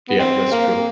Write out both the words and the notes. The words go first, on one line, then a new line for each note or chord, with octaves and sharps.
Yeah, that's true.
B3
C4
A#3